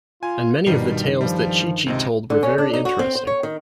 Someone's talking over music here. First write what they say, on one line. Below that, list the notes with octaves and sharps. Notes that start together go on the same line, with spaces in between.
And many of the tales that Chee-Chee told were very interesting.
F4 G#5
G2 B2 D#3 F3 G3 C7
F3 G3
C#2 C3 C4 D#5
D3
C#4
D4
D#4
F#4
C4
C5
C#5
D#3